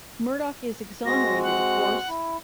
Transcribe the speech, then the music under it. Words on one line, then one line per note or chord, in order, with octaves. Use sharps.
Murdoch is exonerated, of course.
G#3 C4 F#4 A#6
F#5
E4